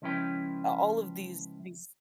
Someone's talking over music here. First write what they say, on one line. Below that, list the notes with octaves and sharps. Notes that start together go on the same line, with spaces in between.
a all of these these
C#2 F3 C#4 E4 B4 G5